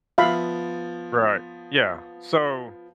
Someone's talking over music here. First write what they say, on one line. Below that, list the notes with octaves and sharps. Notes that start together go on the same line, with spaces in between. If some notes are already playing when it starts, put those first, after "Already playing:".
Right. Yeah. So,
F3 B3 E5 F5 B5